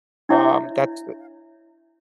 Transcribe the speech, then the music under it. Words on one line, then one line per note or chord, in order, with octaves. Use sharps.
Um, that's the
D4 E4 C#5 E5